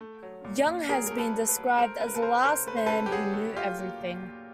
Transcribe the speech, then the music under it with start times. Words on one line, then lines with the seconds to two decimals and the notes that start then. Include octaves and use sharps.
Young has been described as "The Last Man Who Knew Everything".
0.01 A3
0.23 F#3
0.45 A#2
0.66 A#2
0.89 F#3 G#4 A#4
1.07 A3 A#4
1.18 A4 B4
1.34 A3
1.48 A4 B4
1.56 F#3
1.78 A3 A#4 C5
2.00 C#3 B4
2.07 A#4
2.15 A4 B4
2.22 C#3 A#4 C5
2.44 C#3 A#4 C5
2.67 A3 B4
2.77 C5
2.86 C#3 A4 B4
3.06 G4
3.11 F#3 F#4 G#4
3.33 A3
3.55 F#3 F4 G4
3.78 A#3
4.00 A#2
4.23 A#2